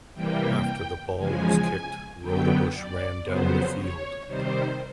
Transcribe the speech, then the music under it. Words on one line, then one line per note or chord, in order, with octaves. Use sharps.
After the ball was kicked, Roudebush ran down the field.
C3 E3 G3 A#3 G5
E2 C#3 F3 G#3 G#5
F#2 D3 F#3 B3 G5
D5
F2 C#3 F#3 B3 C5
C#5
C3 D#3 G3 C5